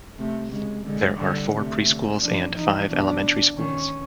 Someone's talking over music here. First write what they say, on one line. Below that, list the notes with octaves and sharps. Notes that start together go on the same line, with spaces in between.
There are four preschools and five elementary schools.
C3 A3
C#3 G#3
D3 G#3
D3 G3
C3 A3
D3
F3 D4
E3 D#4
B2 D4
D#3 C#4